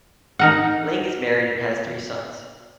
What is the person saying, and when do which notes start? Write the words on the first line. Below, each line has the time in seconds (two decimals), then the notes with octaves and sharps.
Ling is married and has three sons.
0.39 D#4 A#4 F#5